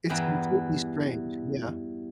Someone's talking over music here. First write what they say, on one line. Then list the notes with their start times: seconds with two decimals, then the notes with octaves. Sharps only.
it's completely strange, yeah.
0.10 E2 G2 E3 G5 A#5